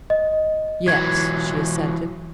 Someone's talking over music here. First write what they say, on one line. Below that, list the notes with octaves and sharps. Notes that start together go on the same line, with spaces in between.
"Yes," she assented.
D#5
E3 F#3 G#6